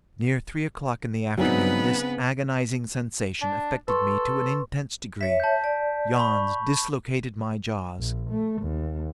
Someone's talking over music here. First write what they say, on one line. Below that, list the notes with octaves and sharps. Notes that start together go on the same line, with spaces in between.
Near three o'clock in the afternoon, this agonizing sensation affected me to an intense degree. Yawns dislocated my jaws.
C#3 F#3 B3 C4 D4 D#4 B4
D4
A4 B4 C6 C#6
C#5 E5 B6
A5 G6
D5
B5 C#6
A#1
A3
D#2